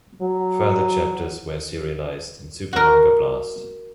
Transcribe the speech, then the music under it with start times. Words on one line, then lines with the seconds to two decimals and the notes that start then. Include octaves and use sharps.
Further chapters were serialized in Super Manga Blast!
0.22 F#3
2.73 F#4 A#4